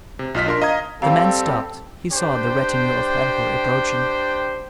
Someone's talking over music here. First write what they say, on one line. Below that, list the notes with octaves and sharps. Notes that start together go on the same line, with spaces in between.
The man stopped; he saw the retinue of Herhor approaching.
C3
B1 F4 D#5 F6 B6
D4 A#4 C6
D#5 F5 A#5 D#6 G#6
G3 C4 A4 F5
D4 G4 C5 G5